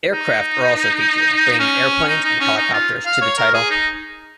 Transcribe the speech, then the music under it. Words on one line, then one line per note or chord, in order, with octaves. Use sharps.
Aircraft are also featured, bringing airplanes and helicopters to the title.
D#4
C#4
D#4
D#4
C#4
D#4
F4
F5
C#5
A#4
G#4
D#4